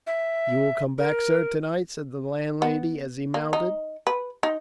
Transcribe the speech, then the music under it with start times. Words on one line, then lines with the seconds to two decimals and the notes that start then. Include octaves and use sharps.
"You will come back, sir, to-night?" said the landlady, as he mounted.
0.07 E5
0.98 A#4
2.62 B3
3.34 A#3
3.53 D#4
4.07 B4
4.43 D#4